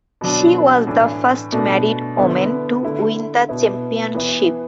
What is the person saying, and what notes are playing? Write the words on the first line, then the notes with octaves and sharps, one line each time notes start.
She was the first married woman to win the championship.
B2 F#3 D4
A2 E3 D4
B2 A3 D4
D3 B3 E4
D3 A3 E4
B2 B3 E4
E3 B3 E4